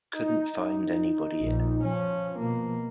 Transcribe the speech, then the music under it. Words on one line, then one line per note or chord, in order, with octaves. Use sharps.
Couldn't find anybody in.
D#4
A#1
F3 C#4
B2 A#3